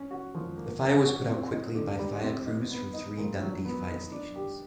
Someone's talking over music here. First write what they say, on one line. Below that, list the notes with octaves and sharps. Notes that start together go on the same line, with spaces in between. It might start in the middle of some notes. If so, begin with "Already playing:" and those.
The fire was put out quickly by fire crews from three Dundee fire stations.
Already playing: C#4
F#4
F3
A#3
C#4
F#4
C4
D#4
D3
G3
C4
D#4
B3
D#4
A#2
F#3
B3
D#4
D4
G4